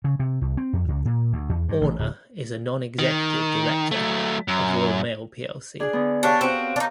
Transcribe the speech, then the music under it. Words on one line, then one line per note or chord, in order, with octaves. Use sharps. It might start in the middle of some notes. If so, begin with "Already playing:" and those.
Orna is a non-executive director of Royal Mail plc.
C#3
C3
C2
C4
F2
C#2
A#2
D2
E2
G2
A1
D1
D#3
F#3 A3
F#2
D4 G#4
D3 B3
D4 G4 C#5 F5
C4 F#4
D4 D#4